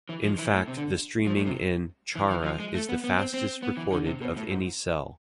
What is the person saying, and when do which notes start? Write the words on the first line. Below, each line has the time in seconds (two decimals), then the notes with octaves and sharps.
In fact the streaming in "Chara" is the fastest recorded of any cell.
0.09 E3
0.24 F3
0.38 E3
0.53 A2
0.68 C3
0.77 D3
1.27 F3
1.36 A2
1.46 C3
2.15 E3
2.30 E3
2.44 F3
2.60 G#3
2.74 A3
2.89 B3
3.04 B3
3.18 C4
3.34 C4
3.63 B3
3.77 E3
3.92 D3
4.06 C3
4.22 B2
4.37 A2
4.51 G#2